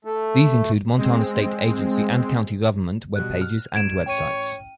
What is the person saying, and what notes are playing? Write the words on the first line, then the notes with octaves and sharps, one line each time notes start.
These include Montana state agency and county government web pages and websites.
A3
G#3 C4
B2 G3 F#6
F6
A1 G#6 D7 E7
C#5 G5 D#7